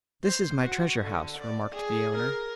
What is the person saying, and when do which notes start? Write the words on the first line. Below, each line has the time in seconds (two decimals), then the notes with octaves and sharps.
"This is my treasure house," remarked the owner.
0.24 C5
0.61 F#4
1.02 D3
1.39 D5
1.72 G#4
2.16 A#4